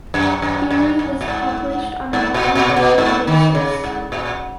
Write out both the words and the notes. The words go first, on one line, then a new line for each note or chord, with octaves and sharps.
"Eerie" was published on a bi-monthly basis.
F#2
F#2
F#2
F#2
A#2
G#2
G#2
A#2
A#2
C#3
B2
G#2
D#3
C#3
G#2
A#2